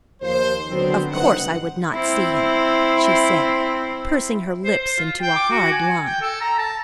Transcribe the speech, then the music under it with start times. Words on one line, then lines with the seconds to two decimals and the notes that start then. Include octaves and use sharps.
"Of course I would not see him," she said, pursing her lips into a hard line.
0.22 D#2 F3 C5
0.69 D3 F#3 B3 C4 C5
1.12 F#1 G2 C4 D#4 B4 F#5
1.93 C4 E4
4.65 C5
4.81 C5
4.98 F4
5.22 G5
5.36 D6
5.51 F#4
5.72 G#5
6.05 G5
6.21 A4
6.41 A#5
6.58 A5